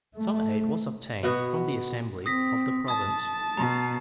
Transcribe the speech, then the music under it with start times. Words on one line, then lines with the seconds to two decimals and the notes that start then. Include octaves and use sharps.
Some aid was obtained from the assembly of the province.
0.16 A3
1.23 B2 B3 F#4
2.26 C4 D#6 A#6 B6
2.88 A5 D#6
3.57 B2 A#5